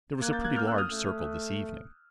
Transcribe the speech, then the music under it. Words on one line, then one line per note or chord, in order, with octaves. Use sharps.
There was a pretty large circle this evening.
A#3 F#6 G#6
G6 A6
F#6 G#6
F6 G6
E6 F#6
D#6 F6
A3